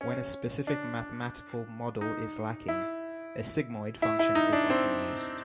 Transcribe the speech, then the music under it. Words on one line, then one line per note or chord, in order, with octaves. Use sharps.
When a specific mathematical model is lacking, a sigmoid function is often used.
C#4
D4
D#4
E4
E4
E4
D#4
D4
C4